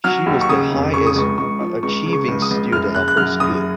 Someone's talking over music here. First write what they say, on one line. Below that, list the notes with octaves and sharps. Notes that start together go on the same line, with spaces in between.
She was the highest achieving student of her school.
F#3 F6
D#2
C#6
C#3 D#6
F1
C#3 C#6
D#6
C#2 C#6
C#2 C#6
F3
C#2 C#6
C#3
C#6
C#2
D#6
C#2
F#1 F6
F#1 F#6
F#6
F#2 F6
F#1 D#6